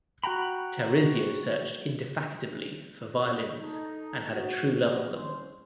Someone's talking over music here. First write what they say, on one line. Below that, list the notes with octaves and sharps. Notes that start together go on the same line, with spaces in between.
Tarisio searched indefatigably for violins and had a true love of them.
F#4 F#5 G5 A#5 B5
D2
D#4 A4
F#4
G#1 A2 B3 G4 G#4 D#5
C2 C#4 C5